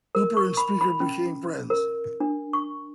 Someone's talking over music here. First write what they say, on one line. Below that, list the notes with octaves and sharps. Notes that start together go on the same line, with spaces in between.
Hooper and Speaker became friends.
A#4
C#6
B5
B5
C#4
A#4
D4
C#6